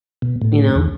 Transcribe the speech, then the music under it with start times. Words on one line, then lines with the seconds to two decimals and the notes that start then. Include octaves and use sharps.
you know,
0.22 B2
0.41 A2
0.75 E2